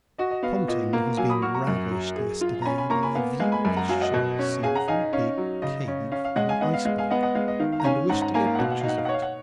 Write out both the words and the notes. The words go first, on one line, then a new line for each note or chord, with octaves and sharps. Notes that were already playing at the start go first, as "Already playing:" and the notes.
Ponting has been ravished yesterday by a view of the ship seen from a big cave in an iceberg, and wished to get pictures of it.
F#4 D#5
D#5
B3 F5
F5
A#2 D#5
A#3 F5
F#3 F5 G#5
B5 D#6
F#4 C#6 F6
A#5 C#6
F#2
F#3
G#4
F4
A#5
C#4 G#5 B5
G#5 B5
A#3 A#5 C#6
G#5 B5
B3 F5 G#5
G#3 F5 G#5
G#5 B5
F#2 G#5 B5
F#5 A#5
F#3 F5 G#5
D#5 F#5
B2
C#4
G#4 F5 G#5
F#5 A#5
D#4 F5 G#5
C#4 F5
F#3
C#3 D#5
C#4
C#4 F5
F5
G#3 D#5 F#5
F5 G#5
B3 D#5 F#5
F5
G#3 F5
F5 G#5
B3 D#5 F#5
D#5 F#5
G#3 F5
D#5
D#3 F5
F5
A#5
C#4 F5 G#5
G#2 F#5 A#5
F#5 A#5
A#3 F5 G#5
F5
F#5
B2 F5
F#5
D#4 F5
F#5
F5
F#5
C#5
F5
F#5